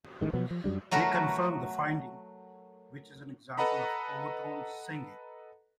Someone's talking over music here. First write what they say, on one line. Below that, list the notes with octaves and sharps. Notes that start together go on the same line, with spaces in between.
They confirmed the finding, which is an example of overtone singing.
A1 D#3 G#3
B2 F3 F#3 B3
F3
F#2 F#3 G3 D4
F#3 A3 F#4 A#4 B4
A4 B4 D#5 F#5 A#5 B5